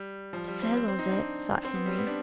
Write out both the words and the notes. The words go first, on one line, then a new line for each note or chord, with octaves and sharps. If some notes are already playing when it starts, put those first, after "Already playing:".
"That settles it," thought Henry.
Already playing: G3
F3
G3
C4
C4
C4
D#4
D4
C4
B3
G3
B3
D4